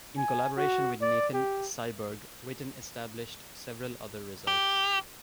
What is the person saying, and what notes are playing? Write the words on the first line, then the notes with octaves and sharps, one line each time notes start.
In collaboration with Nathan Seiberg, Witten established several other results.
G#5
F#4
D5
G4
G4